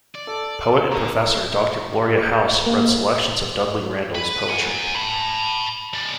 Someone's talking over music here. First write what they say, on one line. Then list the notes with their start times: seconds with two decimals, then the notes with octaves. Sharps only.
Poet and professor Doctor Gloria House read selections of Dudley Randall's poetry.
0.15 D5
0.27 A4
0.92 D3 A#5
2.66 A#3
4.15 B4
4.50 F#5 G#5
4.95 A5 B5
5.94 G#3 D5